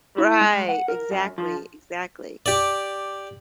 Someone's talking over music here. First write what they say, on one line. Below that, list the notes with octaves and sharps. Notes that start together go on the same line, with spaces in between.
Right. Exactly, exactly.
E4
G#3
F#5
A#4
F#2
F3
G4 D5